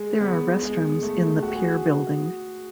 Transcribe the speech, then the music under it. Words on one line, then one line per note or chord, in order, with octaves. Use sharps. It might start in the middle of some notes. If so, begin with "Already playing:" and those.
There are restrooms in the pier building.
Already playing: G#3
B3
G#3
A3
F#4
G#4